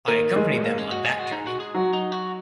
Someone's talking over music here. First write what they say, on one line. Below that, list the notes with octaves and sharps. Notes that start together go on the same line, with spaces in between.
I accompanied them on that journey...
D#3 A#3
G#3
A#3
C#4
F#4
G#4
F#4
D#4
F#4
G#4
F#3 F#4
D#4
F#4